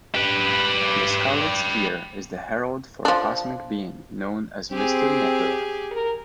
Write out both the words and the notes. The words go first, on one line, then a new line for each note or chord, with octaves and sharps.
The Scarlet Skier is the herald for a cosmic being known as Mr. Nebula.
G4 B4
F3 D4
C4 G4 G#4
A#4